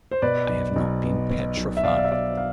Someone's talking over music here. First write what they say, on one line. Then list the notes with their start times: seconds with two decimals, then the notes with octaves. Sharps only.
I have not been petrified.
0.11 C5
0.22 B2 B4 D5
0.49 B1
0.76 B1
1.04 B3
1.30 B2
1.57 B1
1.77 E5
1.84 B1 D5 F5
1.97 D5
2.04 E5
2.11 B3 D5 F5
2.37 F5